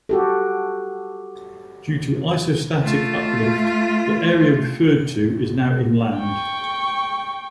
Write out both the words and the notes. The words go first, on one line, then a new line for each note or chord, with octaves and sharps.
Due to isostatic uplift, the area referred to is now inland.
F#4 G4 A4
A3 F4
G5 C#6